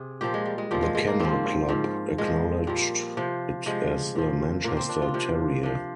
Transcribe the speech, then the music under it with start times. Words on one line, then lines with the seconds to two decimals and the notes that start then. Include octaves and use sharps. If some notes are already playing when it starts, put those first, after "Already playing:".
The Kennel Club acknowledged it as the Manchester terrier.
Already playing: C3 G#4
0.21 A#2 F3 G4
0.34 G#3
0.46 G3
0.58 G#3
0.71 A#2 F3 G3
0.82 G#3
0.95 G#3
1.07 A#3
1.20 G#2 F3 C4
1.69 G#2 F3
2.18 A#2 F3 G#3
2.67 A#2 F3 G3
3.17 C3 F3
3.66 C3 F3 G#3
4.15 A#2 F3
4.64 A#2 F3 A#3
4.77 C4
4.89 D4
5.02 F4
5.14 C3 F3
5.63 C3 F3